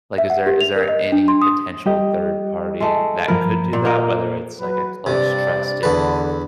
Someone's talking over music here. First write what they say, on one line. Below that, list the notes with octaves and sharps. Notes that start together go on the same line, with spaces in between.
like, is there is there any potential third party that could do that, whether it's, like, a close trusted
E5
F#5
G4
F7
A#4
D#5
D4
C6
D#6
G3 G4 D#5
G#3 A3
G2 F3 A#4 B5
A#2
A#3 F4 A#4 D#5
F#3 B4
G2 C3 D5
E2 D3 B4